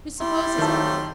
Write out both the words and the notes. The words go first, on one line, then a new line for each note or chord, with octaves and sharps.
Who supposes it?
G3 E4 C6
F2 D#3 F#3 A3 A5